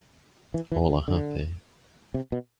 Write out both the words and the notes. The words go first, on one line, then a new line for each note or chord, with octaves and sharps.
All are happy.
E3
E3
D3
D3
C3
B2